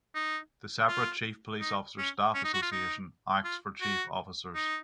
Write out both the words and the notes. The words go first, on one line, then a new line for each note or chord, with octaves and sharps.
The separate Chief Police Officers Staff Association acts for chief officers.
D#4
F4
D#4
C#4
C#4
D#4
F#4
F4
D#4
F4
F#4
D#4